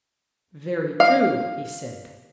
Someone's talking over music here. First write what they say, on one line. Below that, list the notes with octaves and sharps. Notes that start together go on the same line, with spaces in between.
Very true, he said.
F5